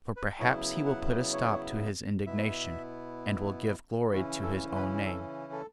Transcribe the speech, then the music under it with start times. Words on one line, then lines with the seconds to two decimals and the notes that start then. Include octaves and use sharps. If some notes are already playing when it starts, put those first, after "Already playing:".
For perhaps he will put a stop to his indignation, and will give glory to his own name.
0.17 B4
0.39 C#3 F#3 B3 E4 C#5
0.86 F#5
1.33 C#5
2.26 B2 B3 E4 E5
4.12 C#3 E3 C#4 E4 F#4
4.43 A4
4.75 B4
5.06 A4
5.52 A4